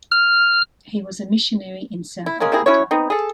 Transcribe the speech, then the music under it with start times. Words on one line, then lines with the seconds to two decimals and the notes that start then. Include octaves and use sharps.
He was a missionary in South Africa.
0.11 F6
2.26 E4
2.40 G#3 A#3 C#4
2.52 C3 A#3 E4 G#4
2.66 C#4 E4 F#4 C#5
2.91 B3 C4 D#4
3.10 G#4 A4